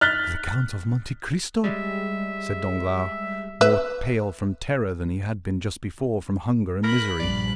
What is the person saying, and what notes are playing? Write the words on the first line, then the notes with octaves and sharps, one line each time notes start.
"The Count of Monte Cristo!" said Danglars, more pale from terror than he had been just before from hunger and misery.
F6 F#6 A6 B6 G7
G3 G#3 E5
B4 E5
A#4 B5 F#6
A#1 G2 D5